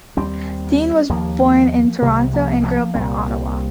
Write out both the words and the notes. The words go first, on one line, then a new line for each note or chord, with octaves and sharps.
Dean was born in Toronto and grew up in Ottawa.
D#2 G3 C4
D#2 F3 A#3
C2 C3 D#3 G3
F3 A#3
F3 A#3
C2 A#2 G3 C4